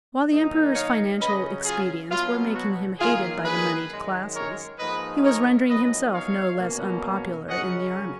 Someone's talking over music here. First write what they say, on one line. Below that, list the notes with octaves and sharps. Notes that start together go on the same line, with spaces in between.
While the emperor's financial expedients were making him hated by the moneyed classes, he was rendering himself no less unpopular in the army.
F#2 D#3 A#3 D#4
C#5 F5
C#3 F#3 C#4 B4 D#5
F4 G#4
B2 F#3 B3 F4
F#4
D#3 F#3 A#3 F4 G#4
G#4 B4
F#2 D#3 G#3
A#4 C#5
G#2 F3 A#3 D#4 B4 D#5
A#4 C#5
F#2 F3 B3 D#4 B4 D#5
C#5 F5
B2 A#3 C#4
F#2 C#3 F#3 C#4 D#5 F#5